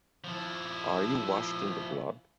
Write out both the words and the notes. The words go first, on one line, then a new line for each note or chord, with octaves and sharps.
Are You Washed in the Blood?
F3 E4